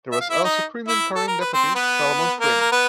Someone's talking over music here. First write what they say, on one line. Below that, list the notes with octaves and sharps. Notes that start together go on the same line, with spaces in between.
There was also a Crimean Karaim deputy, Salomon Krym.
E5
F5
E4 E5
D#4 D#5
E4 E5
A4
A#4
B4
C4 C5
B3 B4
A#3 A#4
A#4
B3 B4